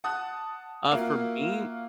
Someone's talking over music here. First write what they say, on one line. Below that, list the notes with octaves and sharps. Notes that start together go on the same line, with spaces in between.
Uh, for me,
F#5 A5 D#6 F#6
A#3 F4 F#4 E5 F5